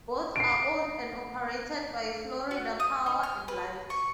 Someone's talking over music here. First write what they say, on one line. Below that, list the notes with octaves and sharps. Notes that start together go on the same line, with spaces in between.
Both are owned and operated by Florida Power and Light.
C7 D7
F#4
D#6
D#4
F6
B4
C#6